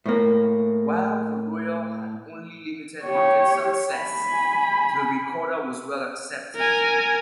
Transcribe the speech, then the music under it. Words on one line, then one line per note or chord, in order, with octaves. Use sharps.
While the Royal had only limited market success, the Recorder was well accepted.
A2 A#3
G4 C#5
G#5 B5
A#4 G#5